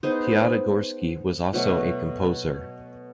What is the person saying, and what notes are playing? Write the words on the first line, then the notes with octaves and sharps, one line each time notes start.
Piatigorsky was also a composer.
B3 D#4 G#4 C5
B2 F#3 A3